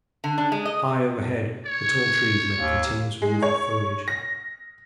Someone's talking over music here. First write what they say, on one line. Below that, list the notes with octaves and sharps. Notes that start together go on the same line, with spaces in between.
High overhead, the tall trees made a continuous roof of foliage.
D3
D4
G#3
D#5
C#5
D#2
G#3
C#5
A#6